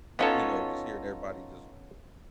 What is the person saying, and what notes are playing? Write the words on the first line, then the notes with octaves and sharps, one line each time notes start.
you know, just hearing everybody just
B3 C#4 D#4 F4 A4 C#5